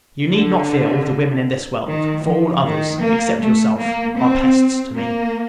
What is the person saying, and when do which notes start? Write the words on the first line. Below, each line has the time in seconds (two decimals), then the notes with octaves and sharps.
You need not fear all the women in this world; for all others, except yourself, are pests to me.
0.32 D3
1.88 D#3
2.26 F3
2.65 D#3
3.04 A#3
3.42 A3
3.80 A#3
4.19 C4
4.97 A#3